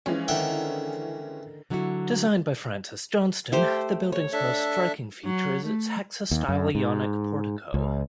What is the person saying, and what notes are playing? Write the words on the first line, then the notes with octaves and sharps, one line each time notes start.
Designed by Francis Johnston, the building's most striking feature is its hexastyle Ionic portico.
E3 F3 G#3 C#4
D3 D#3 E5 F#5 G5
D3 F#3 A3 E4 F#4
A3 G4 C5
C#5
D4 A4 E5
F#3
A3
D#2
F#2
G#2
C#2